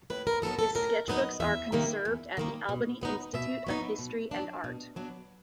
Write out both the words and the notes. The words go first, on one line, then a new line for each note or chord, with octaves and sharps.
His sketchbooks are conserved at the Albany Institute of History and Art.
A2 B4
A#4
F#3 B3 D#4 A4
A4
A2 A#4
F#3 B3 D#4 D#5
E2 E5
C3 D#3 G3 A#3
E2
C3 D#3 G3 A#3
B2
F#3 B3 D#4
B2 E5
F#3 B3 D#4
B2
F#3 B3 D4
B2
F#3 B3 D4